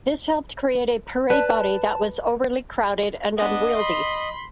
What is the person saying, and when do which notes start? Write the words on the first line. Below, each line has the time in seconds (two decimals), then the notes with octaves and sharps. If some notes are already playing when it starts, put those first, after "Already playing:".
This helped create a parade body that was overly crowded and unwieldy.
1.30 B4 D5 A5
3.37 B3 D4 D#5
3.76 B5 C6